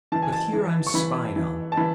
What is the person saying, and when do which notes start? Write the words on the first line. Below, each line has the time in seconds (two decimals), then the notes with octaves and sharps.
But here I'm spied on.
0.12 E3 A5
0.22 G#5
0.33 A5
0.53 E3
0.87 C#6
0.94 E3 B5
1.36 E3
1.72 A5
1.77 E3 B5